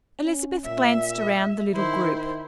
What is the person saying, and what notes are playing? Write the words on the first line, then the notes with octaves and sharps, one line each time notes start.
Elizabeth glanced around the little group.
C#4
A#2 E5
D#3 E4 C5